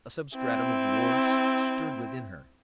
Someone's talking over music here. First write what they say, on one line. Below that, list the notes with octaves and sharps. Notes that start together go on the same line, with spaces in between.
A substratum of war stirred within her.
C4 E4